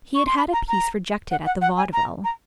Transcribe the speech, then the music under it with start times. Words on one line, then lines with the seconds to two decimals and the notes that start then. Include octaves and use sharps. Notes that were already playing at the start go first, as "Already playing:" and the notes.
He had had a piece rejected at the Vaudeville.
0.15 C#6
0.27 C6
0.38 B5
0.53 A#5
0.68 A#5
1.31 F#5
1.46 F#5
1.62 F#5
1.77 G#5
1.93 A#5
2.24 A#5